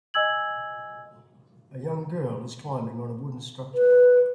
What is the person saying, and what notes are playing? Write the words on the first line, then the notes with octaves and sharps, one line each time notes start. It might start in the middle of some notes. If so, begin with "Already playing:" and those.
A young girl is climbing on a wooden structure.
D#5 G#5 E6 G#6 F#7
B4